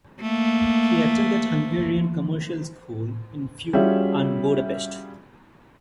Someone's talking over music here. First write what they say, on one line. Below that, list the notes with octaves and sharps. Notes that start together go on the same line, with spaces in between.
He attended Hungarian Commercial School in Fiume and Budapest.
A3 A#3
G3 C#4 F4 F#4 G#4 E5